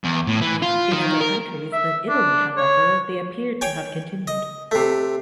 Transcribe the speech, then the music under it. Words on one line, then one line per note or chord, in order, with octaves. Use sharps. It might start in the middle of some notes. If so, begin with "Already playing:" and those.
In other countries than Italy, however, they appear to have continued.
E2
A2
E3
F4
D#3
A#4
E5
D4
C#5
C#5 G5 G#5
D#5
C3 A3